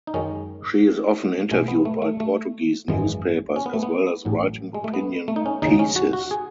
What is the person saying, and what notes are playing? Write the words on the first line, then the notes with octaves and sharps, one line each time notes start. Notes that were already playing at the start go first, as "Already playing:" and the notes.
She is often interviewed by Portuguese newspapers as well as writing opinion pieces.
D#4
F#2 D#3 G#3 C#4
B1 B2 G#3 A3
B3
A3
A3
A3
G#1 F#2 E3 G#3
C#4
B3
A3
B3
A1 A2 F#3
G#3
A3
B3
A3
D#4
C#4
D#2 C#3 F#3 D#4
C#4
F#4
F#4
G#4